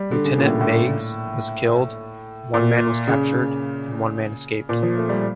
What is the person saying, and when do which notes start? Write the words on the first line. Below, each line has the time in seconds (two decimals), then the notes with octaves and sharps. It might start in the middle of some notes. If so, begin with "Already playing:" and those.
Lieutenant Meigs was killed, one man was captured, and one man escaped.
Already playing: G3
0.11 D3
0.25 C#3
0.38 A#2
0.46 A2
0.61 A2
2.54 A#2
3.08 C#3
4.69 A#2
4.83 F3
4.97 A3
5.09 G3